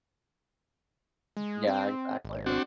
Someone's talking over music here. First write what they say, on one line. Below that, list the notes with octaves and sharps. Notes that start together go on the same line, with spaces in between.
Yeah, exactly.
G#3
C4
G#1
C4 D4 F#4